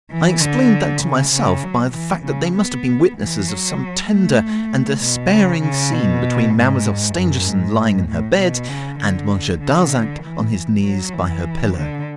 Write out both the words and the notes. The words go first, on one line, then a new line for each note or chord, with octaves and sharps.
I explained that to myself by the fact that they must have been witnesses of some tender and despairing scene between Mademoiselle Stangerson, lying in her bed, and Monsieur Darzac on his knees by her pillow.
E3
D3
C#3
C#3
F#3
E3
C#3
B3
E3
F#3
A3
B2
C#3
C#3
B2
G#2
F#2
G#2
A2
B2
C#3
D3
D3
E3
F#3
E3
D3